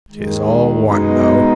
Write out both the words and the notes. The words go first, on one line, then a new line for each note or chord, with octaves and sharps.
'Tis all one, though!
D#2 D#3 G#3
B2 G#3 B3 D#4